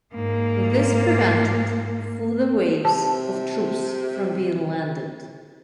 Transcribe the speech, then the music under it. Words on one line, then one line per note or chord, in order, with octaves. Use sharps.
This prevented further waves of troops from being landed.
G#2 A#3
C3 A5